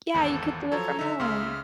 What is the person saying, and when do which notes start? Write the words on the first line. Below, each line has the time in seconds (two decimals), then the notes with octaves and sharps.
Yeah, you could do it from home.
0.14 G#1 E2 A4
0.72 F3 F#3 A4 C#5 A#5
0.99 D3 D#4 E5
1.20 C#2 C#3 C6 F6